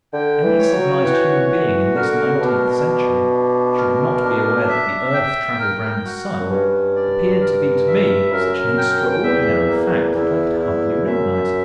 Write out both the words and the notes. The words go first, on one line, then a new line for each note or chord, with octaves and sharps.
That any civilized human being in this nineteenth century should not be aware that the earth travelled round the sun appeared to be to me such an extraordinary fact that I could hardly realize it.
D3 G5
E3
C#5
F#3
E3 F#4
F#4
D3 A#4
C#3
B2 D4
D4
D4
A#4
D4
E5
G5
A#4
F#4
F#2
G2 C#4
D5
A#4
E5
F#2 A#4
G5
E2 E5
A#3
E2 E4
E4
F#2 E5